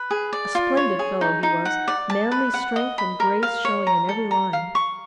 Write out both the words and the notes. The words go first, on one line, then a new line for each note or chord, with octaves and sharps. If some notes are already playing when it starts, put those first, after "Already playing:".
A splendid fellow he was, manly strength and grace showing in every line.
Already playing: B4
G#4
D5
F4
C#5
G#4
D#4
D#4
F#5
D5
A5
B4
F#5
D#5
B5
A#4
F5
C#5
A#5
A4
A#5
F5
C#6